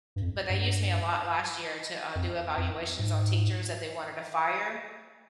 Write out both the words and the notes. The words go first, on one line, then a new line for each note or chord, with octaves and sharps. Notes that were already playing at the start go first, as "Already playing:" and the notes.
But they used me a lot last year to, uh, do evaluations on teachers that they wanted to fire.
G2
F2
G2
F2
F2
G#2